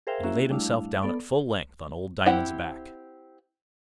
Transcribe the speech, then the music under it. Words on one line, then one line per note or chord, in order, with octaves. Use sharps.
And he laid himself down at full length on old Diamond's back.
G#4 A#4 C5 E5 F5 G5
A#3 C#4 E4 F#4 G#4 E5
G3 A3 D4 E4 F5
B3 A4 D5
C4 E4 G4 F#5